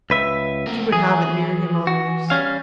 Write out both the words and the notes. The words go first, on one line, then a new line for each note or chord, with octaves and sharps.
He would have it near him always.
C#2 B4 E5
A#3 C4 A#4
E3 G#4
F#4
G3 C#4 F5